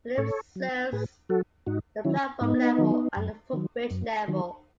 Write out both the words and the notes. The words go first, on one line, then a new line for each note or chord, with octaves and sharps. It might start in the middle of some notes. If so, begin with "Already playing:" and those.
The lift serves the platform level and the footbridge level.
A2 A4 C#5
F#3
A2 G#4 B4
F#3 F#4 A4
G#2 D#4 F#4
D#3 F#3 C#4 E4
G#2 B3 D#4
D#3 F#3
F#2
D#3 F#3
F#2
D#3 F#3